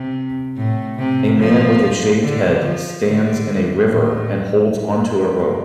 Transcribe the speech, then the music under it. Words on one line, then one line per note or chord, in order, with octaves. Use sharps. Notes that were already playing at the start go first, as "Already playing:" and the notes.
A man with a shaved head stands in a river and holds onto a rope.
Already playing: C3
A2
C3
F3
D3
F3
D3
A2
G2